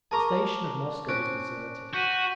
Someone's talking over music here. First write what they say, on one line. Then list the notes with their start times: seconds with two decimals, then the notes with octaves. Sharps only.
The station at Moscow was deserted.
0.11 G#4 A#4 A5 A#5 C#6 D6
1.09 C4 C#4 F#6 D7
1.93 F#4 G6 B6 D#7